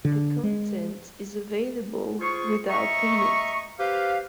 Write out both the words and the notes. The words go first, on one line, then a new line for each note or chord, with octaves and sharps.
The content is available without payment.
D3
G#3
F4 G#4 C5 C#6
D#5 E5 A#5 C#6
G4 B4 C5 F5